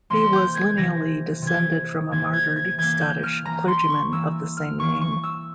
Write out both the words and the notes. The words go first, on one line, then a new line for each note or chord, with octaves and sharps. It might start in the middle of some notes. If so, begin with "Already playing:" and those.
He was lineally descended from a martyred Scottish clergyman of the same name.
C3 E3 A#3 C6
G6
G#6
C3 E3 A#3 A#6
C3 E3 A#3 G#6
C3 E3 A#3 G#6
G#6
G#6
E3 A#3 G#6
G6
F6
E3 A#3 A#5
C6
C#6
E3 A#3 E6
F6
E3 A#3 C#6
C#6
E6